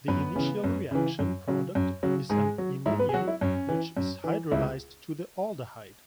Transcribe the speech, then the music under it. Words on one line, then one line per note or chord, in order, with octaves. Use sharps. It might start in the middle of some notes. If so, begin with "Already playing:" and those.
The initial reaction product is an iminium which is hydrolyzed to the aldehyde.
F#2 B3 B4
C#3 E3
F#2
C#3 E3
F#2
C#3 F#3
F#2
C#3 F#3
G#2 G#3 G#4
F#3
G#2 E4
B3 B4
G#4
F#3 F#4
E4
F#2 C#4
E3
F#2
E3
C#2 E4